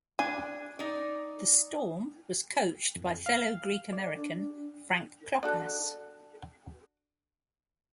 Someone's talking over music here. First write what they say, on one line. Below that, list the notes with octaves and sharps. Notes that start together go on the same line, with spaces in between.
The Storm was coached by fellow Greek-American Frank Klopas.
D4 G#5
D#4 D5
F2
F5
D5
D4
D4 F#4 A4